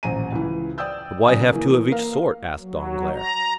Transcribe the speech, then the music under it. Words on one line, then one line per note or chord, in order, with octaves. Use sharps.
"But why have two of each sort?" asked Danglars.
D#1 A1 C5 G#5 A#5 D#7
C#2 E3
D5 G5 D#6 E6 G6
C#3 F#3 D5 G#5 D#6
E3 A#3
A#3 A#4 F5
F#3
A#5